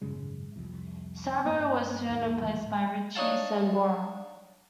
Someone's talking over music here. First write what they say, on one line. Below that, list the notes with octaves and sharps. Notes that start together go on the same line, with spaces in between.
Sabo was soon replaced by Richie Sambora.
G#1 F#2 C#3 G#3
C2 F2
G2 A#3 B3
D#2 G#2
G#1 D2 A2 E3
D4 D#4 C#5 F5 A5